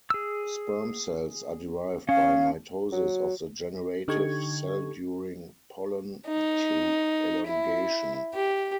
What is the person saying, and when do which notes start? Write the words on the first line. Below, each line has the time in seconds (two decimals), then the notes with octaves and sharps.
Sperm cells are derived by mitosis of the generative cell during pollen tube elongation.
0.10 G#4 E6
2.09 C#4 F5
2.92 F#3
4.08 D3 D#4 G4 A4 C#6 G#6
6.27 D#4
7.46 E4
8.34 G4